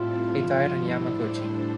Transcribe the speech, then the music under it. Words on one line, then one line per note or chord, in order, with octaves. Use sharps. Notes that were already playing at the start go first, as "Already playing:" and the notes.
He died in Yamaguchi.
Already playing: A2 G3 C4 E4 F4 A4
G2 D3 F3
A2 G3 D4 E4 A4 C5